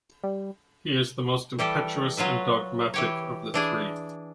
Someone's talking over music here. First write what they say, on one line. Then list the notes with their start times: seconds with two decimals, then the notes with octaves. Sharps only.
He is the most impetuous and dogmatic of the three.
0.23 G3
1.59 E3 G3 G4 A4
2.17 F#3 F4 B4 E5
2.94 E3 G4 C#5
3.54 E3 D4 G#4